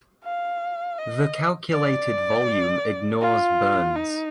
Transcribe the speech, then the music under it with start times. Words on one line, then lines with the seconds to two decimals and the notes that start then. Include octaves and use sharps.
The calculated volume ignores burns.
0.24 F5
0.98 D#5
1.72 D5
3.21 F4
3.96 D#4